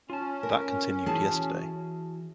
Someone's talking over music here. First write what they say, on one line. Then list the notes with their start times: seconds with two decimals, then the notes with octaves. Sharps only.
That continued yesterday.
0.10 C#4 F4 A5
0.43 A#4
1.06 E3 E4 F#4 G#4 A5